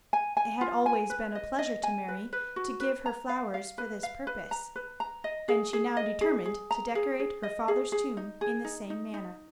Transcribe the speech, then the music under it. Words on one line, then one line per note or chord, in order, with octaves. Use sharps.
It had always been a pleasure to Mary to give her flowers for this purpose, and she now determined to decorate her father's tomb in the same manner.
G#5
G#5
F4
G#5
B4
D#5
D#5
G#5
B4
B4
F#4
B4
A#5
F5
F5
B4
F5
B4
A#5
B4
A#5
D#5
G#4
G#4
D#5
G#4
G#4
A#5
G#4
G#4
D#5
G#4
G#4
D#4
G#4
D#4
D#4
D#4